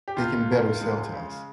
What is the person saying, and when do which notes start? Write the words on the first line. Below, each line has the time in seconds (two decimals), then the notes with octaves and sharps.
they can better sell to us.
0.08 G4
0.16 C#2 F4
0.49 C#2
0.81 G#3
1.13 C#3